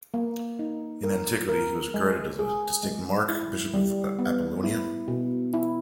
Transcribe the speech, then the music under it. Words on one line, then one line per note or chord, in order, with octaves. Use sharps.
In antiquity he was regarded as a distinct Mark, Bishop of Apollonia.
A#3
D#4
A#4
A#4
G#3
G#4
G#3
E4
G3
B3
E4
B2
E4